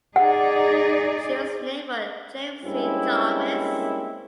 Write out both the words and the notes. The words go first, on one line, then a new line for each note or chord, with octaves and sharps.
She was named for James C. Jarvis.
D#4 G#4 D5 F#5
G2 G#3 A#3 C4 C#4 E4